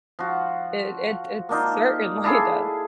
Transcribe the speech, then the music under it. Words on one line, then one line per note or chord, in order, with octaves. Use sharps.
It it it certainly does.
F3 F#4
A#3 D4 D#4 F4
D4 E4 G#4 A4